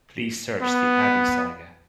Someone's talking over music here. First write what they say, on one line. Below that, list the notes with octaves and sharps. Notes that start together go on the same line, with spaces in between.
Please search the Abby saga.
B3